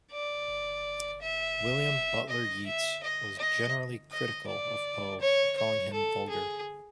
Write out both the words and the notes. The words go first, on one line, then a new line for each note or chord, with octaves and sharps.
William Butler Yeats was generally critical of Poe, calling him vulgar.
D5
E5
D#5
E5
D#5
D#5
D#5
D5
C#5
C#5
A4
G#4